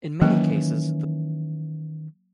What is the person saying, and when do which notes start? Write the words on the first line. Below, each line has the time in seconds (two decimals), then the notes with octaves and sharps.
In many cases, the songwriters were also the performers.
0.21 D#3 E3 F#3 A#3 C#4